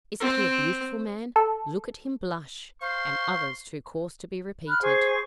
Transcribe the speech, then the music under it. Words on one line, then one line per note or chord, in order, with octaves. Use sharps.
"Isn't he a beautiful man?" "Look at him blush;" and others too coarse to be repeated.
C4
A4
C5 F5 C6 C#6
B5 F6 F#6
G#4 C5 C#6